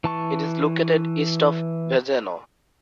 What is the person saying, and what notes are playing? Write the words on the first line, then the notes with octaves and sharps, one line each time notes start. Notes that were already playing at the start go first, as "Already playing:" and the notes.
It is located east of Vedeno.
E3 A5 C#6